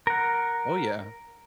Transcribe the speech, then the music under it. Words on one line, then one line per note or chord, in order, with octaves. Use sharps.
Oh, yeah.
A#4 F#5